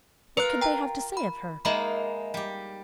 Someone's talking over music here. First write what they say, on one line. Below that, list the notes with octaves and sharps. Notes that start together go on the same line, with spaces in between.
What could they have to say of her?
F4 A#4 B4 F5 F#6
G5 A#5
B5
G#3 A#3 D#4 D#5 E5 B5
G3 G4